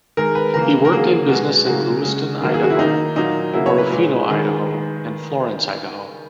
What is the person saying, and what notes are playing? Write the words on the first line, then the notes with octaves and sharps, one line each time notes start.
He worked in business in Lewiston, Idaho; Orofino, Idaho; and Florence, Idaho.
D#3 G#3 A#4
B4
C#3 E3 A#3 A#4
A#4
D#3 F#3 A#3 G#4
B2 G#3 F#4
C#3 F#3 A#3 F#4
C#3 G#3
D#3 F#3 A#3
G#4
F#4
E4
D#3 A#3 D#4
A#2 F#3 A#3 D#4
C#3 F#3 A#3 E4
C#5
B4
A#2 G#3
D#3 G#3